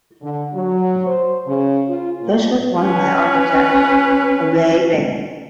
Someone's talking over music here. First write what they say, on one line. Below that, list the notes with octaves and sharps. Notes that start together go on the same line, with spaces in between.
This was won by architect Ove Bang.
D3
F#3
C5
C#3
F4
A#2
C#4 B4